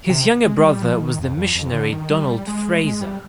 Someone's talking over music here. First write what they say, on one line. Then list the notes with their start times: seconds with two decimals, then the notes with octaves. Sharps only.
His younger brother was the missionary Donald Fraser.
0.10 C3
0.45 G#3
0.58 G#3
0.64 G3
0.82 F3
1.00 D#3
1.19 F2
1.37 F2
1.55 F2
1.73 D3
1.92 D#3
2.10 G3
2.47 G#3
2.84 G#3
3.01 G3